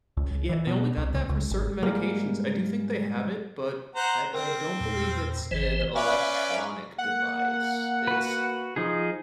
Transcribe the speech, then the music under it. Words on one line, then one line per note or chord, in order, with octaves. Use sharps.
Yeah, they only got that for certain medications. I do think they have it, but I I don't believe it's an electronic device. It's th
C#2
C#2
E3
B2
C2
C#2
C#2
G#1
G#2 G3 A#3
C5 F#5 A#5
C4 A#4
E2 A#2
G#1 E3 C5
C#4 B4 D5 E5 F5
A#3 F#5
F#4 B4
F3 D#4 G#4